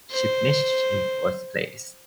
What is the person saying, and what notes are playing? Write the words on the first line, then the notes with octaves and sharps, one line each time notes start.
She finished in fourth place.
C5